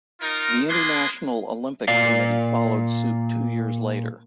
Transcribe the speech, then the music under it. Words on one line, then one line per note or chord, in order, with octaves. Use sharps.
The International Olympic Committee followed suit two years later.
D#4 F4 A#4
A#3 B3 D4 G#4 B4 C6
A#2 D5 F5